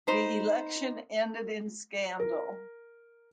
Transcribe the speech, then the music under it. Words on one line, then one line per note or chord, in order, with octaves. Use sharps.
The election ended in scandal.
D#4 C5 B5
A#4